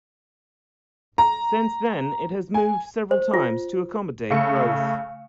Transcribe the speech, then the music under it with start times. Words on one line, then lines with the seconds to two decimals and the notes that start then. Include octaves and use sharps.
Since then it has moved several times to accommodate growth.
1.18 A#5
2.54 G#5
3.11 C5
3.34 F4
4.30 C#3 A3 C#7